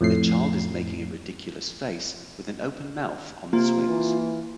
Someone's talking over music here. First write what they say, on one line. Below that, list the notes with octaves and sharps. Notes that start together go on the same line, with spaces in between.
A child is making a ridiculous face with an open mouth on the swings.
F2 A2 C7
C3 A#3 F4
E3